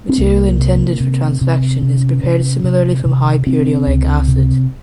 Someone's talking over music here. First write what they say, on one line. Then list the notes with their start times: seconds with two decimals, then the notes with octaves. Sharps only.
Material intended for transfection is prepared similarly from high purity oleic acid.
0.09 C4
0.18 C2 A#3
0.59 C3
1.00 C3
1.41 C3
1.82 C3 C#4
2.23 C3
2.64 C3
3.05 C3
3.46 C3 C4
3.87 C#2
4.28 C3